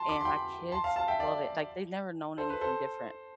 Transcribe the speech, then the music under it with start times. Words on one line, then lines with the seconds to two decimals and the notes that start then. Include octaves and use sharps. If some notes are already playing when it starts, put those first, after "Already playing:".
and my kids love it. Like, they've never known anything different.
Already playing: A5 C6
0.09 B5 D6
0.20 C6
0.25 G5 B5
0.72 A5 C6
0.84 F5 A5
0.96 F5 A5
1.08 E5 G5
1.20 D5 F5
2.38 A4 C5
2.50 B4
2.61 A4 C5